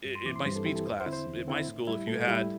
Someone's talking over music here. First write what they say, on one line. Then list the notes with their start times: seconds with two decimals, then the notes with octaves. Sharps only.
in my speech class at my school, if you had
0.05 G2
0.15 C6
0.25 E3 C4 E4 D6
0.36 C6
0.46 G2 C5
0.56 A4
0.65 E3 C4 E4 G4
0.76 A4
0.87 E2 C5
1.00 C5
1.06 D3 C4 E4
1.13 C5
1.26 E2
1.48 D3 C4 E4
1.67 A2
1.87 G3 E4
2.07 A2 A4
2.28 G3 E4